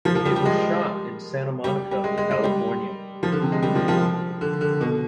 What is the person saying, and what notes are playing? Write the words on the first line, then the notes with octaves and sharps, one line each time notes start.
It was shot in Santa Monica, California.
F3
F3
G3
G3
G#3
G3
G3
G#3
G#3
G#3
G3
F3
D3
C3
G#3
G3
F3
F3
D3
D3
B2